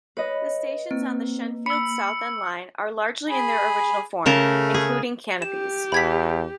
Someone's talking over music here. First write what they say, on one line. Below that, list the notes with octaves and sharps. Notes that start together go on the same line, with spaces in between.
The stations on the Shenfield-Southend line are largely in their original form, including canopies.
B4 C#5 D#5
A#3 C4
B5 E6 C#7
G#4 B5
C#3 A3 A#4 A5
G#4
G4 E7
E2 B5 G#6 B6